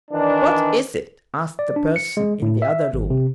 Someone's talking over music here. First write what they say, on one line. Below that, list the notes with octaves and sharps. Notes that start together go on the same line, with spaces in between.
"What is it?" asked the person in the other room.
D#3 E3 D4
D5
D4
C#7
G#3
A2
E5
G#1
C3